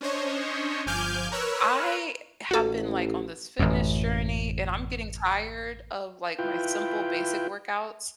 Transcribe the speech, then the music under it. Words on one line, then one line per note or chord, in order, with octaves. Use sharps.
I have been, like, on this fitness journey, and I'm getting tired of, like, my simple basic workouts.
C#4 D4 C5 C#5 D#5
G1 F3 G#5 D6 F6 G6
A#4 B4 C#5 E6 F#6
A1 F#4 A4
A1 F#2
E4 F4 B4 G5